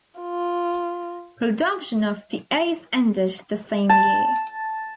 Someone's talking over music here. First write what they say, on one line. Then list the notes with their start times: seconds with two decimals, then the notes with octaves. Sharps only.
Production of the Ace ended the same year.
0.20 F4
3.89 A5